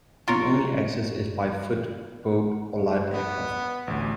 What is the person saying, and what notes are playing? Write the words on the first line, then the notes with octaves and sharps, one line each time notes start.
The only access is by foot, boat, or light aircraft.
F4 A#4 C#5
B3
A1 D2